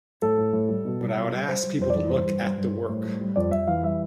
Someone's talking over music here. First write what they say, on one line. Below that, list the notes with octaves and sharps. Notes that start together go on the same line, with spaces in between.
But I would ask people to look at the work.
A2 A4
A2
A2
G3
B2
G3
B2
G3
G3 C5
G3
F2 C5
D5
E3
G2 C5
G2
G3
G2
G3
A2
G3
G3
F2 D5
F2 E5
E3 F5
G3 E5